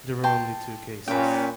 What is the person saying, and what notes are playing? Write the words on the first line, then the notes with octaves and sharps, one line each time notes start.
There were only two cases.
G5 A5 C6
A#2 C#4 B4 G5